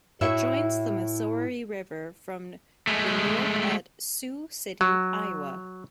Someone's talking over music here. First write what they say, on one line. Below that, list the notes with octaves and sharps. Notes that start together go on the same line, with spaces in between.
It joins the Missouri River from the north at Sioux City, Iowa.
A2 E4 F#4 C#5 E5
G#3 A3
F#3